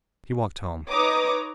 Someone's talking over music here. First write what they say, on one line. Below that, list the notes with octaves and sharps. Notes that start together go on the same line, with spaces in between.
She walked home.
D#4 B4 C#5 A#5 D6 D#6